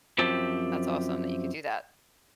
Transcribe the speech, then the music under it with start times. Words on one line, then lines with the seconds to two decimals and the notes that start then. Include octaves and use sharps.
That's awesome that you could do that.
0.18 F#2 F3 C4 G4 A5